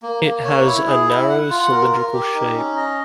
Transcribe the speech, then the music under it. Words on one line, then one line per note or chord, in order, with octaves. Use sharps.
It has a narrow cylindrical shape.
A#3
A#3
C#5
E4
G#4
E4
F#5
F4
A#4
A#4
G4
D#4
C#4
D#5